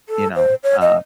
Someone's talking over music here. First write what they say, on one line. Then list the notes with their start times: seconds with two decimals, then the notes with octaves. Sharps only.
you know, uh
0.09 A4
0.36 C5
0.64 C#5
0.81 D#5